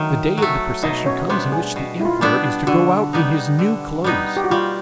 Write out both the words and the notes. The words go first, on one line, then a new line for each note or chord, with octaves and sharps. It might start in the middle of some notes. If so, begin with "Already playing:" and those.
The day of the procession comes in which the emperor is to go out in his new clothes.
Already playing: D#3 F#3 A3
F#3 A3
B2 D#4 D#5
C#4 C#5
G3 B3 D4 C5
G#4
B2
E4
F4
G3 B3 D4
D3 F#4
G3 B3 D#4
D3
G3 B3 D#4
G4
F#4
G3 F4